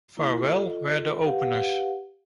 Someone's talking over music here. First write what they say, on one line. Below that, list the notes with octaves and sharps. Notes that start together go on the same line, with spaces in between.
Farewell were the openers.
A#3 E4
F4 A4 D#5
G4 B4 F5 F#5